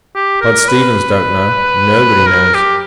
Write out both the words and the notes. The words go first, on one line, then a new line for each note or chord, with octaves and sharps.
Bud Stevens don't know--nobody knows.
G4
A#4
B4
A#4
G4